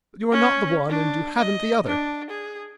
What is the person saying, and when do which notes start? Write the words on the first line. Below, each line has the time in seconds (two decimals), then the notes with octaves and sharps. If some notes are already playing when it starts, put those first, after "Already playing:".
But you are not the one and you haven’t the other.
0.32 C#4
0.89 D4
1.38 D#5
1.86 D4
2.30 G#4